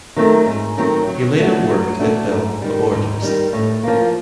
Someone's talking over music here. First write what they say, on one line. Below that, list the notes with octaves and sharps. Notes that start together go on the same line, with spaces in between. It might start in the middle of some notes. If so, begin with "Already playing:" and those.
He later worked at Bell Laboratories.
D#3 F#3 A3 C4
G#2
D#3 F#3 A3 C4
F#3
A3 D4 F#4
F#3
A3 D4 F#4
G#2
D#3 G3
G#2
D#3 G3
A2
F3 A#3